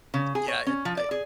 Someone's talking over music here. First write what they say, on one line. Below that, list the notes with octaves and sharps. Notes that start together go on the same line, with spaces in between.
Yeah, it I uh,
C#3
G#4
C#5
C#4
F3
D5
G#4